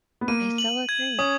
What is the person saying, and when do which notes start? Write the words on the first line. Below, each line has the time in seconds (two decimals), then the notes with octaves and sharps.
I so agree.
0.21 B3
0.28 A#3 D#7
0.58 F#7
0.89 G#6
1.19 C#4 D#6